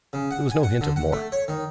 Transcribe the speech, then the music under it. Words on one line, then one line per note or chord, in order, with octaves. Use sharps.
There was no hint of more.
C#3
F#5
G#5
F#5
D3
F#5
A3
C#5
D#3